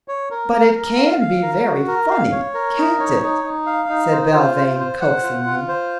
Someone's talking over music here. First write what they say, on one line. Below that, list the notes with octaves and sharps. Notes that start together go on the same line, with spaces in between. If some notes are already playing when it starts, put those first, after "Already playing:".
"But it can be very funny, can't it?" said Belvane coaxingly.
C#5
A#4
A#4
A#4
F5
F5
A#4
F#4
A#4
F5
C#5
A#4
D#4
C#5
D#4
D#4
F5
D#4
C5
F4
C5
C5
F#5
F4
F4
C5